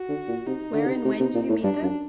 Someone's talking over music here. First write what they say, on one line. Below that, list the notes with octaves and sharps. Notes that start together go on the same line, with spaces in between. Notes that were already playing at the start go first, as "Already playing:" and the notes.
Where and when do you meet them?
Already playing: F#4
D3
A#2
C3 D#4
D3
C3
C3
C3
A#2
A2
G2 D4
F#2